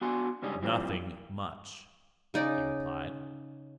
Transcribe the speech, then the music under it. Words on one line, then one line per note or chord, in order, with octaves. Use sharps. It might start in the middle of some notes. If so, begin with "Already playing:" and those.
"Nothing much," he replied.
B3 D4 F#4 G#5 C6
G2 C#3 G3 G#3 C#4 D#4
E3 F3 G3 A#3 C4
C#3 D#4 D5